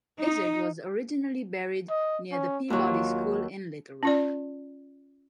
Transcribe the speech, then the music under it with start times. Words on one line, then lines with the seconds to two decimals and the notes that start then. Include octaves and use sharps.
Izard was originally buried near the Peabody School in Little Rock.
0.20 D#4
1.90 D#5
2.32 C#4
2.70 D#2 F#3 F4
4.03 C#4 F4 D5